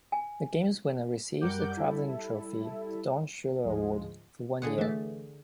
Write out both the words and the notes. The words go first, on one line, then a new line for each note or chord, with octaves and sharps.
The game's winner receives a traveling trophy, the "Don Shula Award," for one year.
G#5
F#2 G3 A#4 F#5 D6 G6
G3 E4 A4
D2 G#2 F3 G#3
D3 G#4 F#5
E3 A3